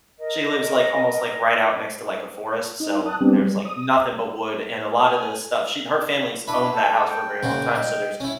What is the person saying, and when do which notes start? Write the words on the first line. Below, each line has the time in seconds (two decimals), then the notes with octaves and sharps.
she lives, like, almost, like, right out next to, like, a forest, so there's, like, nothing but wood and a lotta the stuff, she her family's owned that house for a very long time, so there's
0.18 A#4 D#5
2.80 D#4
3.06 A5 D#6 F#6
3.21 G3 B3 C4 D4 G4
3.41 G3
3.65 D#6
5.01 G#5
6.48 D4 E4 B4 B5
6.75 A4
7.10 G5
7.43 A#2 C#3 F#4
7.75 D#5
8.20 C#4 E4